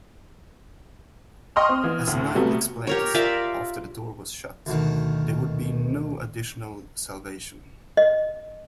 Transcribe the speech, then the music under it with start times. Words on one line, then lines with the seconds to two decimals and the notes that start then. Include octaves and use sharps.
As Knight explains, After the door was shut, there would be no additional salvation.
1.56 D#5 G5 C6 C#6 D#6 F6
1.69 C4
1.84 E3 B3
2.07 D2 A2
2.35 C3 F#3 G3 A3 B3
2.87 G4 A#4 C#5
3.14 F4 A#4 D5 E5
4.66 D2 B2 D#3
7.97 D#5